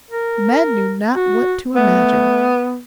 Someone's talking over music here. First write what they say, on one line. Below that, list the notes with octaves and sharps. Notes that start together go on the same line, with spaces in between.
Men knew not what to imagine.
A#4
F#4
A3 B3